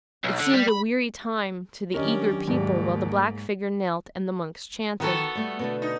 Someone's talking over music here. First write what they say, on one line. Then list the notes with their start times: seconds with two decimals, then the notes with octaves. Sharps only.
It seemed a weary time to the eager people while the black figure knelt and the monks chanted.
0.24 B1
0.39 D3
0.53 G3
0.68 B5
1.94 D#3 F#3 C#4 D4 G4 A#4 C#5 D#5
2.47 D#2 G#2 F#3 A#3 D5
5.00 D#3 B3 F#4 A4 E5 A5
5.35 G3 A3
5.59 B2 D3 A3
5.82 D#4